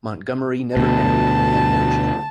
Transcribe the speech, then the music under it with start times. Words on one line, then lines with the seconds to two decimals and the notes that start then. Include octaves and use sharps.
Montgomery never married, and had no children.
0.77 D2 B2 A5